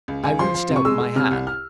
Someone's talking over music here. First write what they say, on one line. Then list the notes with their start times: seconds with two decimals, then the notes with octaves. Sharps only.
I reached out my hand.
0.08 C#2
0.24 C#2 G#5
0.39 F3 C6
0.54 F3
0.70 C3
0.76 C#6
0.85 G#3 E6
1.00 G#3
1.16 C3 F6
1.31 C2
1.47 F6